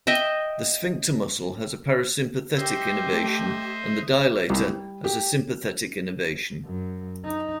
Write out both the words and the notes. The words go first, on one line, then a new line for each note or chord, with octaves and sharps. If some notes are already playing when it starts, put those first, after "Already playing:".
The sphincter muscle has a parasympathetic innervation, and the dilator has a sympathetic innervation.
D#5 E5 G5
G4 C5 D#5 E5
A3
C2
G3
G4
F#2
D#4